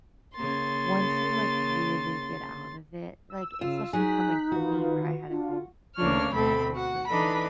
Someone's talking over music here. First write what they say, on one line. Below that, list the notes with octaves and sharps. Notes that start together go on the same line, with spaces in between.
once you, like, really get out of it, like, especially coming from me, where I had a whole human with this person,
C#3 A#3 C6 A6
E6
C#3 F4
F#3 D#4 G#4 F#6 B6
D#3 F4 F#4 B4
D4 F4
D2 C#3 A#3 D4 C#5 F6
D2 B2 A3 C4 A4 B5
F#4 F#5
E3 D4 D#4 A4 B4 B5